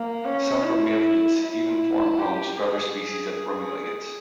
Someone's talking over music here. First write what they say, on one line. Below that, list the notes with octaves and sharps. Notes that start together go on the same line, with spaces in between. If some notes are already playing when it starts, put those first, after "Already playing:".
Some bromeliads even form homes for other species of bromeliads.
Already playing: A#3
C#4
E4
E4
G4
G#4
G#4